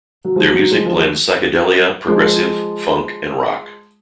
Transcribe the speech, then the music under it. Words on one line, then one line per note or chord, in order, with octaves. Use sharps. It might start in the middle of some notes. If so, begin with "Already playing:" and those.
Their music blends psychedelia, progressive, funk, and rock.
F#3
F3 G#3
F#3
F#3
F3 G#3
F3 G#3
F3 G#3